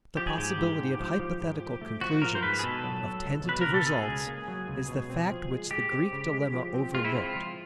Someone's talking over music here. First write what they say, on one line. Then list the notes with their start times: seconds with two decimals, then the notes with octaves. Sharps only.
The possibility of hypothetical conclusions, of tentative results, is the fact which the Greek dilemma overlooked.
0.17 F3 G4
0.27 G#4
0.37 G#2 G4
0.58 G#2
0.78 G#2
0.99 F3
1.20 F3
1.40 G#2
1.61 F3
1.81 A3
2.01 F3 F#4
2.22 F3 A#4
2.35 C5
2.43 G#2 B4
2.59 G#4
2.63 B2 A4
2.84 F#3
3.04 F#3
3.24 C#2
3.45 B2 B4
3.61 C#2 A#4
3.74 A4
3.86 B2 G#4
4.08 C#2
4.27 A#3
4.48 F#3
4.68 C#2
4.89 B2
5.10 C4
5.30 F3
5.51 G#3
5.71 G#3 G4
5.92 C4
6.13 C#3
6.33 G#3
6.54 F3
6.74 C4
6.95 G#3 F4
7.05 E4
7.15 C4 F4
7.35 F3